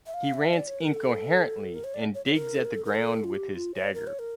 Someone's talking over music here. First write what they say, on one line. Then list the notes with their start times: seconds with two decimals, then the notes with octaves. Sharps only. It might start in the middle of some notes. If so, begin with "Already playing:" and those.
He rants incoherently and digs at the ground with his dagger.
0.06 E5
0.14 F5
0.34 E5
0.53 D5
0.67 C#5
0.81 A#4
0.94 A4
1.74 A#4
1.84 C#5
1.94 D5
2.14 C#5
2.26 C#5
2.34 A#4
2.54 A4
2.65 A#4
2.74 A4
2.85 A#4
2.95 A4
3.24 F4
3.35 G4
3.55 F4
3.75 C#5
3.94 A#4
4.07 C#5
4.19 A#4